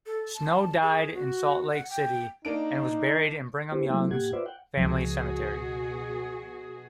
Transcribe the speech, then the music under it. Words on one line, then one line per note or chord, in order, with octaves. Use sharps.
Snow died in Salt Lake City, and was buried in Brigham Young's family cemetery.
A4
A5
G#4
F#4
F#5
G5
A#3 D4 D#4 D7
B3 E4 G4 C5
E3 F#3 A3 A#3 C4 E4
A2 A#3 G4 F#5 G#6
F4 B4 C5 D5 E5
F#5 G5
C#2 B2 F3 F#4 G#4